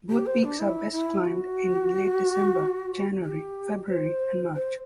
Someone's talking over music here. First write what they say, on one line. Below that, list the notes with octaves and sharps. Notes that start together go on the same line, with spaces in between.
Both peaks are best climbed in late December, January, February and March.
G4
C5
D4
E4
E4
F#4
G4
C5
C5